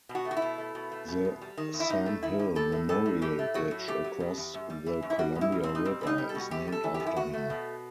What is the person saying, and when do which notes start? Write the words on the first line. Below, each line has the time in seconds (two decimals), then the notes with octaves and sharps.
The Sam Hill Memorial Bridge across the Columbia River is named after him.
0.09 B2
0.15 F#4
0.25 A3
0.31 F#4
0.37 E4
0.42 B2
0.58 A3
0.75 B2
0.92 A3
1.08 B2
1.25 E2
1.41 G3
1.57 D#3
1.74 E2
1.80 E4
1.90 G2 D#4
2.06 A3
2.23 D#3 E4
2.39 G2
2.55 G3 A4
2.72 A2
2.89 G3 A4
3.06 A2
3.22 A2 G4
3.39 A3
3.54 F#3 F#4
3.71 A2
3.88 A3 G4
4.04 F#3
4.20 B2
4.37 E2
4.54 F#2
4.70 G3
4.86 E3
5.02 F#2
5.10 E4
5.19 G3 F#4
5.35 B2
5.41 E4
5.52 G3
5.63 C4
5.69 B2
5.75 D#4
5.85 G3 C4
6.01 B2 C4
6.07 D#4
6.18 G3
6.29 A4
6.35 B2 F#4
6.51 F#2 G4
6.67 G3
6.72 A4
6.84 E3
6.94 G4
7.00 F#2
7.07 E4
7.16 E2 F#4
7.33 A3
7.50 B2